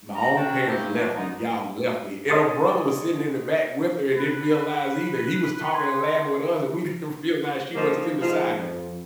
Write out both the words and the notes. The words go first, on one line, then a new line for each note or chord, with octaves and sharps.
"My own parents left me. Y'all left me," and her brother was sitting in the back with her and didn't realize either. He was talking and laughing with us, and we didn't realize she wasn't sitting beside him,
A#5
C#4 D4 F#4 G5 A5
A3 A#3 C4 D#4 E4 G4
B2 F3 A#3 D4
D3 G#3 B3 D#4
C#5 D#5 C6 D#6 A6
B4
C6 G#6
F3 G3 A#3 D#4
F3 G#3 B3 D#4 F4
F2